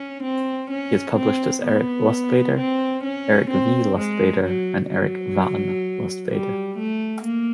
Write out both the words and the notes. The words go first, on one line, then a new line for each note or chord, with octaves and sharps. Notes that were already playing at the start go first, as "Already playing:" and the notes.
He has published as Eric Lustbader, Eric V. Lustbader, and Eric Van Lustbader.
Already playing: C#4
C4
C#4
C4
B3
C4
C#4
C4
G#3
F#3
F#3
G3
A3
A#3